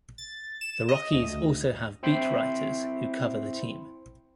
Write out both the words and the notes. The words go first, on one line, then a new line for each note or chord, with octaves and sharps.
The Rockies also have beat writers who cover the team.
A6
E7
D#5
D2
C4 E4 C5 G5 B5 C6